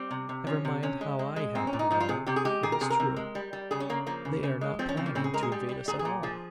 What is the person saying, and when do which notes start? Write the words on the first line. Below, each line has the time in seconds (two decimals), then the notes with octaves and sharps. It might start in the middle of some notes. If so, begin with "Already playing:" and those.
Never mind how I happen to know; it is true; they are not planning to invade us at all!
Already playing: G3 C4
0.11 C3
0.29 C3
0.47 F3 C#4
0.65 C3
0.83 C3 C#4
1.01 G#3
1.19 G#3
1.36 G#3
1.55 A#2 C4
1.67 C#4
1.73 A#2
1.79 D#4
1.91 F3 D#4
2.00 F4
2.09 C3 G#4
2.26 C3 G4
2.36 G#4
2.45 G#3 G4
2.63 D#3 G#4
2.72 A#4
2.81 C3 G#4
2.90 A#4
3.00 C3
3.16 G#3
3.35 G3
3.53 G3
3.71 C#3 G#4
3.80 C#4
3.89 C#3 A#3
4.07 F3 A#3
4.25 C#3
4.43 C#3
4.61 G#3
4.79 F3 C4
4.89 C#4
4.97 C#3 C4
5.06 A#3
5.15 C#3 C4
5.24 G#4
5.34 G#3 A#4
5.43 G#4
5.52 G3 G4
5.69 G3
5.88 A#2 G#4
5.99 G#4
6.05 A#2
6.23 F3 G#4